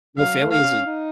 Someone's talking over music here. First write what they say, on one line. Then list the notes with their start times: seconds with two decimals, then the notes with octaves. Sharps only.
no family is a
0.18 F#3 F5
0.41 A3
0.52 F5
0.63 C#4
0.86 D#4